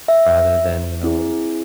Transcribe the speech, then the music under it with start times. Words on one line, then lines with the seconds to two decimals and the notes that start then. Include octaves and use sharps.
rather than, you know,
0.08 E5
1.03 C4 E4 G#4